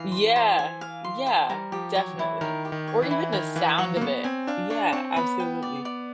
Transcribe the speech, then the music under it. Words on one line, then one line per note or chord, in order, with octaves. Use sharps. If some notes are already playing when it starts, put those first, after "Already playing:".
Yeah. Yeah. Definitely. Or even the sound of it. Yeah, absolutely.
Already playing: E3 F5
C6
C5
G#5
F5
C6
C5
G3 A#4
F3 G4
F#3 C#5
E3 E4
D#3 A#4
G4
D#3
C#5
E3
E4
D#3 G#5
E3 F5
F#3 C#5
A#3
B3 C#5
C4 G#5
D4 F5
D4 C#5
C4 C#5
B3 B5
G5
D5
D5